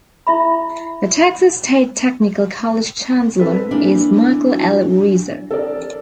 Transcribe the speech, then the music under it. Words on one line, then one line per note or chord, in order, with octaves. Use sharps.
The Texas State Technical College chancellor is Michael L. Reeser.
E4 E5 B5
C4 A4 B4
E3 A#3 D4
F#3
A4 A#4 D5